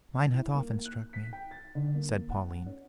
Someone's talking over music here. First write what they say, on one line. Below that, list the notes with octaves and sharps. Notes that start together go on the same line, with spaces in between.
"Mine hath often struck me," said Pauline.
E4
A#3
F#6
B6
G5
A6
D3
A#3
F#5
C#4